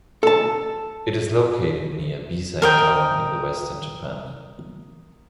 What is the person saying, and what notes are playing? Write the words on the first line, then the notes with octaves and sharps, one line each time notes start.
It is located near Bisei town in the western Japan.
A4 A5
A#4 D#5 G5